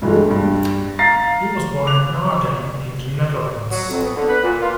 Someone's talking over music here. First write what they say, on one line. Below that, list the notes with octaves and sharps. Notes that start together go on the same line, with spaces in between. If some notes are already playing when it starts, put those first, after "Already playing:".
He was born at Naarden in the Netherlands.
G2 E3 F#3 G#3 A3
G2
F5 A#5 A6 C7
D6 F#6 F7
F#3
F2
B3
D3
B4
A#2
F4